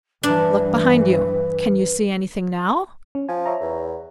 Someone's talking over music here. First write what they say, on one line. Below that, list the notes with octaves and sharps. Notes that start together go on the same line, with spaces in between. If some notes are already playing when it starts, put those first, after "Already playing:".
'Look behind you! can you see anything now?'
G2 E3 D4 B4
C#4
F3 G#5
C#5 E5 A#5
E2